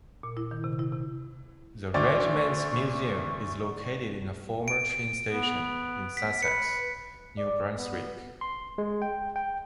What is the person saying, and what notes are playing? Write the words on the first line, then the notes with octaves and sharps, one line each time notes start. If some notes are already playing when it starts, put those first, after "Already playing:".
The regiment's museum is located in a former train station in Sussex, New Brunswick.
A#2
E4
D#3
C3
E4
C3
D2 D5 C#6
D7
B3
B6
B4 C#7
D5
B3
C6
G#3
G5
G5